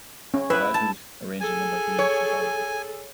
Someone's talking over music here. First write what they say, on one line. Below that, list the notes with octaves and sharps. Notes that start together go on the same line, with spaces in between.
Avadhoot arranged a number of remixes albums.
C#4
E4 B4
A5
G#4 A4 G#5
C#5